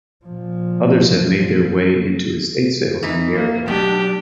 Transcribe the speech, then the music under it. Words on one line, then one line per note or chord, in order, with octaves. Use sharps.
Others have made their way into estate sales in the area.
A#2 F3
E3 D#4
A#3
B2 F#3 A3 D4 G4